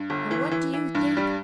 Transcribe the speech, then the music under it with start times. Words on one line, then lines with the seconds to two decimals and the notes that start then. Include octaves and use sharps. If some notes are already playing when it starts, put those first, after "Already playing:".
And what do you think!
Already playing: G2
0.10 G1
0.31 E3
0.51 E3
0.73 E3
0.95 G2
1.17 G3